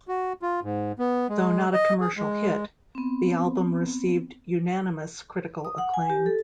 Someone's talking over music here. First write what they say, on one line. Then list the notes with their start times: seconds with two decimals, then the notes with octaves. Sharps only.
Though not a commercial hit, the album received unanimous critical acclaim.
0.08 F#4
0.42 F4
0.63 G#2
0.99 B3
1.29 G#3
1.73 D#5
2.01 G#4
2.17 G#3
2.95 B3 C4
5.65 D#6
5.78 F#5
5.94 G#5
6.10 G4
6.26 A4